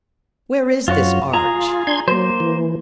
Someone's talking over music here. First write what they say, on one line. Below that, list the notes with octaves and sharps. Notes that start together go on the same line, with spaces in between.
"Where is this Arch?"
F#2 F4 F#4 C#5
F4 G#4 A#5
D4 C6 G#6
F#3 A#3 C5
E3